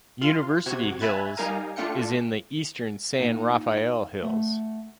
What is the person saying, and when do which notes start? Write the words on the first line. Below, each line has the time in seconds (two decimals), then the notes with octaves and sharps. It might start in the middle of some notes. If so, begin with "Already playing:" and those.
University Hills is in the eastern San Rafael Hills.
0.21 F4 F5 C6
0.66 C3 F#4 G#6
0.99 E5 G#5 B5 F#6 G#6 A6
1.37 G3 D#4 A#4 F5 G#5 A#5
1.76 A3 D4 F4 G5 C#7
3.18 A#2 D#4 F#5
4.22 A3 E5 F#5